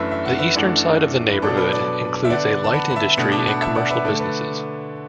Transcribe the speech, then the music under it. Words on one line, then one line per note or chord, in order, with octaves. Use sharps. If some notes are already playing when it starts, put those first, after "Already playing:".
The eastern side of the neighborhood includes a light-industry and commercial businesses.
Already playing: F#2 E3 A3 D4 B4 E5
E5
F#5
B4 E5
F#2 E3 A3 D4 D5 F#5
B4
B2 F#3 D4 A4 D5
B4
A4 D5
E5
D3 B3 D4 D5 F#5
A5
F#5 B5
B5
E5 A5
B2 A3 D4 F#5 B5
A5 D6
F#5 B5
E5 A5
D5 F#5
B4 E5
D3 A3 D4 A4 D5
B4